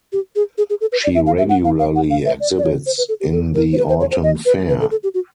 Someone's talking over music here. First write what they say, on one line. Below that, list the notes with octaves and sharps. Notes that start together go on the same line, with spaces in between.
She regularly exhibits in the Autumn Fair.
G4
G#4
G#4
G#4
A4
B4
D5
E5
F5
E5
F#5
F5
F5
F#5
F5
E5
D5
D5
C#5
C5
B4
A4
G4
A4
A#4
C5
B4
C5
C#5
C5
D#5
B4
B4
A4
A4
G4
F#4